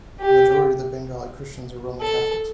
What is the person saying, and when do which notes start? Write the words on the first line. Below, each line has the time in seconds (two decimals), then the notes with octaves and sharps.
The majority of Bengali Christians are Roman Catholics.
0.21 G4
2.01 A4